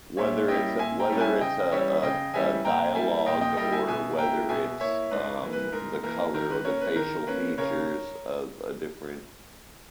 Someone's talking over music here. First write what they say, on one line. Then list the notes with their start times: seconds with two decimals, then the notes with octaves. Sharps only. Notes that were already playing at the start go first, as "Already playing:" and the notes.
Whether it's a whether it's a a a dialogue or whether it's, um, the color or the facial features of a different
0.17 A#2 C#5 E5
0.48 G3 A#3 C#4 E4 D#5 G5
0.79 A#2 E5 G#5
0.99 G5 A#5
1.10 G3 A#3 C#4 E4
1.20 E5 G#5
1.41 C#3 D#5 G5
1.72 E3 G3 C#4 E4 C#5 E5
2.03 C#3 D#5 G5
2.33 E3 G3 C#4 E4 E5 G#5
2.65 A#2 G5 A#5
2.95 G3 A#3 E4 E5 G#5
3.26 A#2 D#5 G5
3.41 D#5 G5
3.57 G3 A#3 E4 D#5 G5
3.72 E5 G#5
3.87 B2 E5 G#5
4.18 A#3 E4 G5 A#5
4.49 B2 E5 G#5
4.80 A#3 E4 C#5 E5
5.11 G#2 B4
5.42 E3 A#3
5.53 B4
5.72 G#2 A#4
6.03 E3 A#3 A#4
6.34 D#3 A#4
6.50 B4
6.65 A#3 C#4 A#4 C#5
6.81 B4
6.96 D#3 A#4
7.27 A#3 C#4 B4
7.58 C#3 A#4 C#5